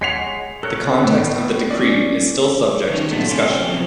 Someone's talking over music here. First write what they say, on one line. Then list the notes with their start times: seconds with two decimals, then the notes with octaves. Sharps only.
The context of the decree is still subject to discussion.
0.01 G#3 C#5 F#5 B6 C7 F7
0.63 A4 A#4 C#5 F#6
0.78 B3
1.03 A2
1.70 C#4 D5
2.90 D#3 F#3 A#3 B3 C#4 D#4
3.11 G2 A#2 G#3 A3 B3 D4
3.29 C3 A#3 C#4 D4 F4
3.48 C#4 G4
3.68 C3 F3 F#3 C4 C#4